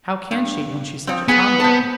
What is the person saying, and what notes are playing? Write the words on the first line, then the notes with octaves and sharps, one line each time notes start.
"How can she, when she's such a tomboy?"
G2
F3 C4
B3 G#4 B4 G#5
C5 A5